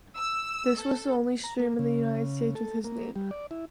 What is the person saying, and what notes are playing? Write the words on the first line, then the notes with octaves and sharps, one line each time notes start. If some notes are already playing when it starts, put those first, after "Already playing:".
This is the only stream in the United States with this name.
E6
A4
A#5
A#3
C#3
A4
A#3
G3
D5
E4